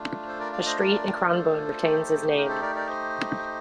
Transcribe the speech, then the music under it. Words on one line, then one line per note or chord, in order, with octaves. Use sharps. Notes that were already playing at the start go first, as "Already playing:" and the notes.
A street in Cranbourne retains his name.
Already playing: A3 D4 F4
A4 C5
A#4 D5
D5 F5
C5 D#5
A#4 D5
A4 C5
A3 D#4 G4
A#4
A4 C5
A#4 D5
A#4 D5
C5 D#5